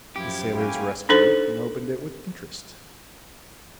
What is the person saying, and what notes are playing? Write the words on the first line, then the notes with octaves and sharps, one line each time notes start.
The sailors rescued it and opened it with interest.
F#2 F3 E4 G4 G#6
A#3 E4 C#5 F5 G5 G#5
D4 D#4 A4 C5